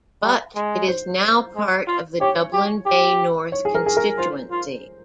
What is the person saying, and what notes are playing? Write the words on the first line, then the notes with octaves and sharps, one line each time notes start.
But it is now part of the Dublin Bay North constituency.
G3
G#3
C5
G#3
F4
G4 C#5
G4
G4
C#5
G#4
A#4
G#4
A#4
F4 C5
F4